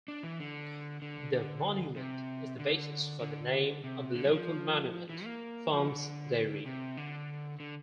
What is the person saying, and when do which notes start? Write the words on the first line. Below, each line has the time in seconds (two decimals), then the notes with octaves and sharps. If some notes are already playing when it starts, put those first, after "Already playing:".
The monument is the basis for the name of the local Monument Farms Dairy.
0.08 D4
0.23 E3
0.40 D3
1.02 D3
1.33 D3
1.96 C3
2.59 D3
3.21 D3
3.84 C3
4.15 D3
4.25 G3
4.31 F3
5.09 E3
5.25 A#3
5.72 F3
5.88 D3
6.66 C3
6.97 D3
7.60 D3